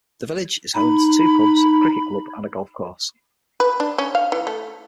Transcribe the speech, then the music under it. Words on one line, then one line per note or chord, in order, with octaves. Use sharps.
The village is home to two pubs, a cricket club, and a golf course.
D#4 B5
B4
D4
C#4
F5
E3
A3